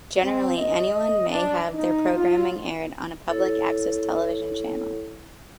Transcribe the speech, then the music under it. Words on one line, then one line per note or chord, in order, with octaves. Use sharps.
Generally, anyone may have their programming aired on a public-access television channel.
C4
D#5
D4
D#4
F4
E4 A4 C#5